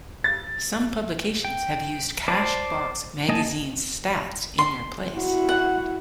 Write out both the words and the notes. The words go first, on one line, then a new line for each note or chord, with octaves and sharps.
Some publications have used Cash Box magazine's stats in their place.
A6
G5
C5 D5 A5
A#3 D#5 G#5 A5
C6
E4 F#4
F#5